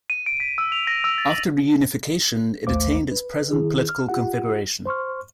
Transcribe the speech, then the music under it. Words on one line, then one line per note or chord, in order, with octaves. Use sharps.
After reunification it attained its present political configuration.
D#7
D7
B6
E6
F7
A#6
E6
A6
F#7
A1 D#2 A3 C5 F5 D6
B4
D#3 E4 G#4
F6
F4 G4 F#5
C5 C6 C#6 F6